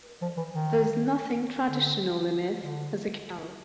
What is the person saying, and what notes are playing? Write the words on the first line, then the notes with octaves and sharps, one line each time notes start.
There is nothing traditional in it as a carol.
F3
E3
D#3
D3
D3